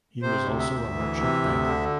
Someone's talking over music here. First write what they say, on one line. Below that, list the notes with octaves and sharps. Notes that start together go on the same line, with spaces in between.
He was also a merchant banker.
C3 C5
D2
E5
D2
E3
C3
D2
D3